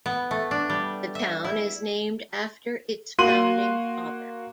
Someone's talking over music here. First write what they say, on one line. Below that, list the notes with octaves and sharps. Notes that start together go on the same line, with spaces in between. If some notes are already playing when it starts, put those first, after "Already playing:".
The town is named after its founding father.
B3
A3
D4
G3
E5
E4
A#3 F#4 C6 D#7 F#7